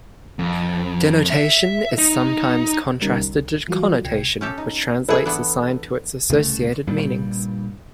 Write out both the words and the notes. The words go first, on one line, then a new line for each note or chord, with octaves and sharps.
Denotation is sometimes contrasted to connotation, which translates a sign to its associated meanings.
F2
E5
D#4
D3 D#3 G3 C#4 D#4 A#4
C2
E3 F#3 G3 F4 F#4
C2 C3 G5 G#6 C7 C#7
C#4 G4 A4
D#4
E4 G#4 A4 B4
E3 B3 D4
C2 C#3 G3 A3
G2 A#2 G3